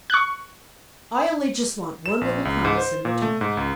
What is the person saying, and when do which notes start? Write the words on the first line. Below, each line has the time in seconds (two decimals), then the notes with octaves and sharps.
"I only just want one little promise in return."
0.10 C#6 F#6
2.06 E7
2.21 A#1
2.45 C#2
2.65 G#2
2.78 C5
3.05 A#2
3.22 A3
3.41 G#2
3.57 C#2